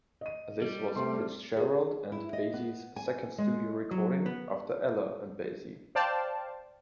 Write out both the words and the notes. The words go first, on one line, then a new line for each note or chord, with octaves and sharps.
This was Fitzgerald and Basie's second studio recording after Ella and Basie!
D#5 D#7
G3
C3 A3 C6
G#4
E4
D#5
B3
G#5
G#3
F#3
B3
C5 D5 F5 G5 A5